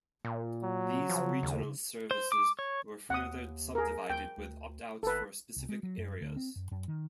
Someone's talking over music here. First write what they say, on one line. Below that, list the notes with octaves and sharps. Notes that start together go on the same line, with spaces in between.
These regional services were further subdivided with opt-outs for specific areas.
A#2
F#3
C#3 F3
D#2
C5
D6
C#5
D#2 F#5 D#6
G#4 A#4
D#2 G5
D2
G#1 A4 B4
C2
G#3
F#3
F#2
D2
C4
F#2
F#2
D#3